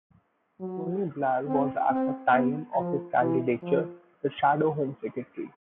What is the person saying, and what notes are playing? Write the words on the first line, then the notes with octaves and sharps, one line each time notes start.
Tony Blair was, at the time of his candidature, the Shadow Home Secretary.
F#3
C4
C4
B3
F3
E3
F3